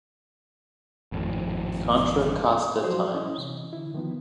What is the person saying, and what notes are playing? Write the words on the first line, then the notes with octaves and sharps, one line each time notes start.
Contra Costa Times.
G#1 F2 A2
F3 F#3 F#4 C5 D5
C#4 E4 D#5
C3 E3
D3 E4
D#3 F3 B3